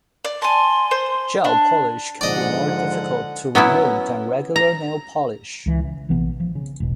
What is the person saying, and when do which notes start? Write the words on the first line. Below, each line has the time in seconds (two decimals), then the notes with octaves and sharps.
Gel polish can be more difficult to remove than regular nail polish.
0.25 D5
0.42 G#5 A5 C6
0.91 C5
1.44 D4
2.21 G#2 D3 F3 D5 D#5 F#5
3.55 F#3 B3 C#4 E4
4.56 A#5
5.66 C#2 E3
5.84 C#3
6.09 A#1 C3 E3 B3
6.40 F3
6.55 C#3
6.80 E1 A#1 B2